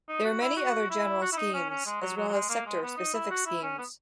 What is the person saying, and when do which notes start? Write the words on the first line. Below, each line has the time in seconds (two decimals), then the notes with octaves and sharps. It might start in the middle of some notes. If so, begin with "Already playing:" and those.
There are many other general schemes, as well as sector specific schemes.
0.09 D#4
0.25 F#4
0.41 E4
0.57 F#4
0.90 E4
1.22 F#4
1.33 E4
1.37 D#4
1.54 C#4
1.70 C#4
1.86 G#3
2.02 F#3
2.17 F#3
2.29 F#3
2.33 G#3
2.49 A#3
2.66 G#3
2.82 B3
2.98 D#4
3.14 E4
3.31 F#4
3.46 E4
3.63 C#4
3.78 B3